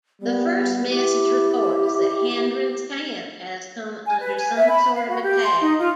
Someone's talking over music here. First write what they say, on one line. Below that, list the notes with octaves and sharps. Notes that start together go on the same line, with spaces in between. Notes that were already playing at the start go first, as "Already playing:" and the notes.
The first message reports that Hendron's camp has come under some sort of attack.
G3 B3
E4 G4
G#5
B4
G#5
E5
B5
F5
F#4
G4
C6
D#4
F4